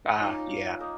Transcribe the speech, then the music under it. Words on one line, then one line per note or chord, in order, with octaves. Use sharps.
Ah, yeah.
A#3 C#4 D#4 F4
A#3 D#4 A#4